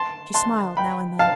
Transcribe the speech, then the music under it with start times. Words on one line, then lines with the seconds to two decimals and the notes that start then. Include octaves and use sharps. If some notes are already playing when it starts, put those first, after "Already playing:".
She smiled now and then.
Already playing: A5 C6
0.34 A5 C6
0.77 G5 B5
1.19 F5 A5